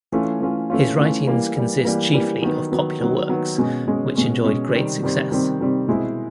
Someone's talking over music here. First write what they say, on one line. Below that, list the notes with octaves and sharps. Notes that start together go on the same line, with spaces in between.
His writings consist chiefly of popular works, which enjoyed great success.
E3 A3 C#4 F4
E3 A3 C#4 F4
E3 A3 C#4 F4
E3 A3 C#4 F4
E3 G3 A#3
E3 G3 A#3
E3 G3 A#3
E3 G3 A#3
D#3 F#3 B3
D#3 F#3 B3
D#3 F#3 B3
D#3 F#3 B3
B2 G#3 C#4
B2 G#3 C#4
B2 G#3 C#4
B2 G#3 C#4
C3 D#3 G3 C4
C3 D#3 G3 C4
C3 D#3 G3 C4
C3 D#3 G3 C4
B2 G#3 C4 E4